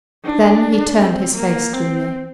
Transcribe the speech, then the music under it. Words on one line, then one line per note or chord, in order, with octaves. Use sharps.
Then he turned his face to me.
D4
C4
A#3
C4